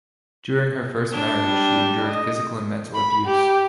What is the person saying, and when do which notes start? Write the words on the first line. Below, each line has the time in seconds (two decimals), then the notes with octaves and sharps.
During her first marriage, she endured physical and mental abuse.
1.10 D4
1.45 G3
2.05 D#5
2.95 B5
3.26 G4